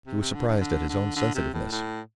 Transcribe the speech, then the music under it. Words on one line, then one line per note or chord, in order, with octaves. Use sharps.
He was surprised at his own sensitiveness.
C3
C3
D3
D3
D3
D3
D3
C3
A2
A2